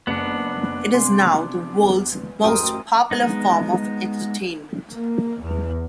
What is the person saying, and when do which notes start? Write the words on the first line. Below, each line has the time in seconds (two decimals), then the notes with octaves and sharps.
It is now the world's most popular form of entertainment.
0.07 F#1 B3 D4 C#7
0.94 C3 G#5 C6
1.82 E2
2.44 A1 F#2 A#4 C5 G5 D#6
3.11 G#3 B3 D#4
4.92 A#3
5.43 E2